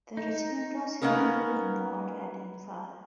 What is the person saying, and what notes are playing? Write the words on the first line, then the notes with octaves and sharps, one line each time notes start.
The regiment was heavily involved at Imphal.
D#4
A#3 B3 C#4 D#4 A#4